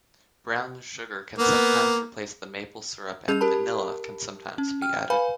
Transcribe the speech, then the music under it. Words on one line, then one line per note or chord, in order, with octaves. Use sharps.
Brown sugar can sometimes replace the maple syrup and vanilla can sometimes be added.
A#3 B3
G3 C#4 G#4 G6 F7
G4 A#4 A5 B5
C#4
G5 F6
B4 F5 G#5 B5